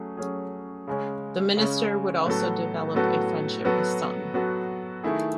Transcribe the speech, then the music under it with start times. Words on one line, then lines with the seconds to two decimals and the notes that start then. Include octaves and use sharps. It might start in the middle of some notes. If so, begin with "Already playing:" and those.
The minister would also develop a friendship with Sun.
Already playing: F#3 A3 C#4 G#4
0.17 F#3 A3 C#4 G#4
0.87 C#3 G#3 C#4
1.57 C#3 G#3 C#4
2.26 A2 F#3 B3 F#4 A4
2.95 A2 F#3 B3 F#4 A4
3.64 F#3 B3 F#4 A4
4.34 F#3 B3 F#4 A4
5.03 D#3 A3 E4 G#4